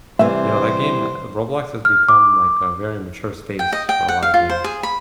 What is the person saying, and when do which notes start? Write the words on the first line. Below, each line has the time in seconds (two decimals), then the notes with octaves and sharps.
you know, that game, eh, Roblox has become, like, a very mature space for a lotta games.
0.19 C3 E3 G3 A3 A#3 C5 E5
1.85 F6
2.09 D6
3.59 G5
3.73 D#5
3.89 G5
4.08 F#5
4.23 F5
4.34 F4
4.49 C5
4.64 G#4
4.83 B5